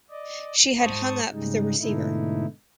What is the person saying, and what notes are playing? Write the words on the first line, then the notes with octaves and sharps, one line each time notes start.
She had hung up the receiver.
D5 D#5
G#2 C5 A5 C#6 D#6
G#2 C#3 G3 G#3 D#4
G#2 B2 D3 A3 D#4 E4